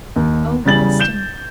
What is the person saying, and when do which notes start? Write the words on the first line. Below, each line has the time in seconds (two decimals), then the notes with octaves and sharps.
Oh, Helstone!
0.16 D#2
0.65 E2 C#3 G3 A6 F#7
1.00 G6 E7 G7